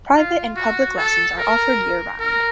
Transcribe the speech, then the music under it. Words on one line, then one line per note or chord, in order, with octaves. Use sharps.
Private and public lessons are offered year round.
F4
F#4
A4
A#4
A#4